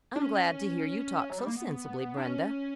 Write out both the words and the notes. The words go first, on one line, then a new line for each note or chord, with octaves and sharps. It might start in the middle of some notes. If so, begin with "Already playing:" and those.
I'm glad to hear you talk so sensibly, Brenda.
D4
C#4
F#3
G3
A#3
B3
D4
C#4